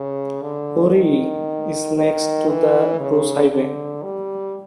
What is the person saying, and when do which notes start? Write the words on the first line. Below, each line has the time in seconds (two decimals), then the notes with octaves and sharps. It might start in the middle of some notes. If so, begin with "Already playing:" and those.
Woree is next to the Bruce Highway.
Already playing: C#3
0.42 D3
0.94 D#3
1.97 D#3
2.48 E3
3.00 C#3
3.51 D3
4.03 G3